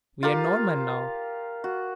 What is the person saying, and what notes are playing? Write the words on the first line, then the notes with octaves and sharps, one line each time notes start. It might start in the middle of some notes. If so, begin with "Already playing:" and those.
We are Norman now.
F4 G4 A#4
F#4